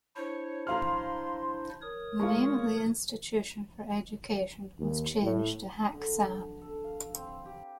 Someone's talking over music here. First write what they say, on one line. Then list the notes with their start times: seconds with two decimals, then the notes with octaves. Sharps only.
The name of the insititution for Education was changed to Hak-San.
0.16 D4 E4 C5 C#5
0.67 F#3 F5 C6 F6
1.82 A#4 C#5 D#6
2.20 G#3 F4 C#6
4.79 D#2
5.22 A2
5.92 D3
6.61 A4
6.84 F5
7.15 C4
7.28 B5
7.46 G4